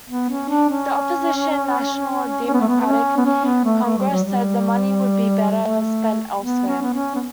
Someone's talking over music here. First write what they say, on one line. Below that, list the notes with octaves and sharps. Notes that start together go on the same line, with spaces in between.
The opposition National Democratic Congress said the money would be better spent elsewhere.
B3
C#4
D4
C#4
C#4
B3
A3
B3
B3
C#4
B3
C#4
B3
A3
A3
G3
F#3
G3
G3
A3
B3
C#4
B3
C#4
B3